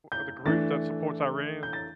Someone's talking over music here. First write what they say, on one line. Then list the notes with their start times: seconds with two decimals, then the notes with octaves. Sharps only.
uh, the group that supports Iran?
0.12 G6
0.45 E3 A3 D4 A6
1.63 G6
1.73 A6